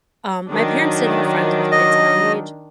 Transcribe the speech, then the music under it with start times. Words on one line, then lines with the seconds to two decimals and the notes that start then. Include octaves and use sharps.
um, my parents did have friends with kids my age,
0.50 D#3 F#3 D4
1.72 D#5